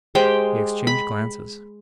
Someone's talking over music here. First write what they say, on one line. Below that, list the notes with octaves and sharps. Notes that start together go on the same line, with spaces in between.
We exchanged glances.
G#3 G4 C5 G5
B5